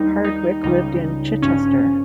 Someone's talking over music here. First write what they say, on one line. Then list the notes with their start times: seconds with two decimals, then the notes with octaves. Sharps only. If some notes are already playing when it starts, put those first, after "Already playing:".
Hardwicke lived in Chichester.
Already playing: D#2 D#3 G3 D#4
0.24 D#4
0.64 C#2 C#3 G3 D#4
1.42 G1 G2 F3 C#4